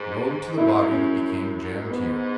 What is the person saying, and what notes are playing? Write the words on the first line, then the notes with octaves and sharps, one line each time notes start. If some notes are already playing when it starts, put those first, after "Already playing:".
Woe to the body that became jammed here!
Already playing: G#2
F#2 E4
C#4
G#2 B3